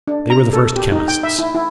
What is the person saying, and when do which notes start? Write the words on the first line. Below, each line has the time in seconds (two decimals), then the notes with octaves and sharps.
They were the first chemists.
0.07 D4
0.30 A#5
0.53 A4
0.76 G4
0.92 D#4
1.08 G5
1.23 E5
1.39 E4
1.55 E4